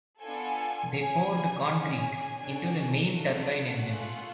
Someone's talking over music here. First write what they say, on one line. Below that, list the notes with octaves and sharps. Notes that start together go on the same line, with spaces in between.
They poured concrete into the main turbine engines.
B3 D4 F4 A4 G#5
C#4 G#4 G#5
C#4 G#4 G#5
D4 F#4 A4 G#5
A3 D4 F4 A4 F#5
A3 F4 G#4